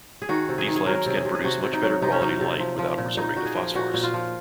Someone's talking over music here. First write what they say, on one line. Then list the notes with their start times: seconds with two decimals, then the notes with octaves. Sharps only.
These lamps can produce much better quality light without resorting to phosphors.
0.22 G#4
0.29 D#3 F#4
0.49 C3
0.58 G#4
0.67 D#3
0.76 G#4
0.86 F#3 A#4
1.06 C3
1.15 G#4
1.25 C3
1.35 G#4
1.44 C3 F#4
1.64 C3
1.73 D#4
1.83 F#3
2.02 C3 D#4
2.12 C#4
2.21 F#3 D#4
2.41 C3
2.60 F3
2.79 F3
2.98 A#2
3.17 A#2 D#4
3.36 A#2 F#4
3.46 G#4
3.55 F3
3.75 A#2 F#4
3.94 A#2
4.03 F4
4.14 F3